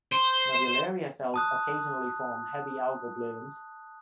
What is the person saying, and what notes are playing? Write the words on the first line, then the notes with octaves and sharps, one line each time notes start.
"Nodularia" cells occasionally form heavy algal blooms.
C5
A5 D#6 F#6